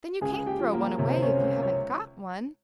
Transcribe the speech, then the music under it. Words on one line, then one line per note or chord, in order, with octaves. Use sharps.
"Then you can't throw one away, if you haven't got one."
C#2 G#4 G#5
G4 G5
F3
A#3 A#4
C3 C#5
C5
C#4 C#5
C#2
C#5